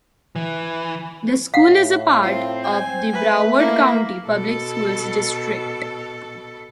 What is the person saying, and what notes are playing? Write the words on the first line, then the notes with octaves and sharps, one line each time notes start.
The school is a part of the Broward County Public Schools district.
E3
A2 F5 F#5
C4 F4
G#5
A3 B4
A#3 E4
B2 A4